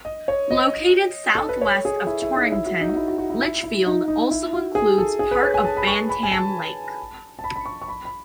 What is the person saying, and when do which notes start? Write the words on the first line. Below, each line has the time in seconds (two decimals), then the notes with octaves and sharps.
Located southwest of Torrington, Litchfield also includes part of Bantam Lake.
0.05 D#5
0.28 C#5
0.51 D#5
1.35 A4
1.49 B4
1.61 C#5
1.85 G#4
2.07 E4
2.22 E4
2.36 D#4
2.52 E4
2.66 F#4
2.81 D#4
2.89 F#4
2.97 E4
3.08 F#4
3.18 F#4
3.30 E4
3.41 E4
3.64 E4
3.86 D#4
4.08 D#4
4.31 E4
4.53 F#4
4.75 G#4
4.98 A4
5.19 G#4
5.31 B4
5.43 C#5
5.54 G#5
5.65 A5
5.77 B5
5.87 C#6
6.09 B5
6.23 G#5
6.32 A5
7.39 A5
7.44 B5
7.56 B5
7.66 C#6
7.82 C#6
7.88 B5
8.05 B5